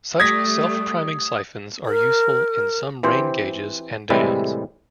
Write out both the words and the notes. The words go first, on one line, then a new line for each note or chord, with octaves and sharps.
Such self-priming siphons are useful in some rain gauges and dams.
G3 A3 D#6 G#6 A#6 B6
A#4
E3 C4 G4 C5
A2 C3 E3 G3 G#3 E4